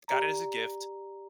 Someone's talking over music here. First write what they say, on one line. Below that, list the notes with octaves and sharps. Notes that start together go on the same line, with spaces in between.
Got it as a gift,
G4 D5 A#5